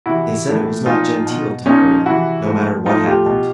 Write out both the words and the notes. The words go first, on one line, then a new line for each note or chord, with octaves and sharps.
They said it was not genteel to hurry, no matter what happened.
C3 E3 E4 F#4
A2 E3
A#2 F3 D#4 F4
B2
A#2 F3 C#4 D#4
C3 E3 E4 F#4
A2 F3
A2 F3 D#4 F4
F4 G4
B2